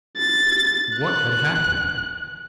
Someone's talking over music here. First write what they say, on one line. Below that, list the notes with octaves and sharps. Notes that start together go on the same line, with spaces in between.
What had happened?
A6
F#6